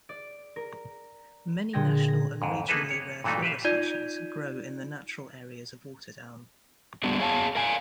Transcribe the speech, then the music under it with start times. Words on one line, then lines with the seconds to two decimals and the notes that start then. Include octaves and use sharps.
Many national and regionally rare flora species grow in the natural areas of Waterdown.
0.09 D5
0.56 A#4
1.73 A#2 D3 G#4 G5 A#6
2.08 A#6
2.42 F2 G#2
2.69 A#3 B3 D#4 G#4 A4 B4
2.90 C#5
3.24 G2 A#2 E3 A3 D#4
3.43 G4 B4 E5 F5
3.64 D#4 F4 D5 G6 G#6 D#7
7.04 G3 A3 B3 D4 F#4 G#4
7.20 G#4 C#5 F5 A5
7.55 A#4 F5 G#5